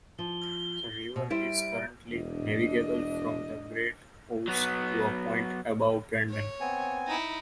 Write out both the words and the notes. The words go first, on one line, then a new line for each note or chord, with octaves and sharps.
The river is currently navigable from the Great Ouse to a point above Brandon.
F3 G7
B2
G3 E4 C5 D7
E1 D4 D#5
F#3 B3
C#5
B3 C4 G#5
D#4 E4